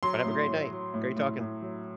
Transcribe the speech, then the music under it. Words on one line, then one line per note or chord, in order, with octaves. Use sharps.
But have a great night. Great talking.
F#3 C6
A2
A2
F#3
A2
A2
A2
F#3